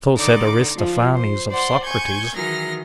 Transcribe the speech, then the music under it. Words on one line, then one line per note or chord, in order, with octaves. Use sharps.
'So said Aristophanes of Socrates.
D3 D#4 D5 D6
F3
C5
C5 D5 F#5 C6
G#5 C#6 G6 G#6
D#3 E3 F#3 G#4 F6 A#6